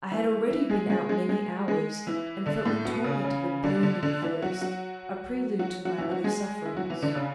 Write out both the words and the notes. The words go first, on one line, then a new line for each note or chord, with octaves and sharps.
I had already been out many hours and felt the torment of a burning thirst, a prelude to my other sufferings.
E3 E4
E3 E4
G#3 G#4
G#3 G#4
G#3 G#4
G#3 G#4
G#3 G#4
E3 E4
D3 D4
A2 A3
B2 B3
C#3 C#4
C#3 C#4
D3 D4
D3 D4
D3 D4
E3 E4
F#3 F#4
F#3 F#4
F#3 F#4
F#3 F#4
E3 E4
F#3 F#4
G#3 G#4
E4
F#3 F#4
E3 E4
D3 D4
C#3 C#4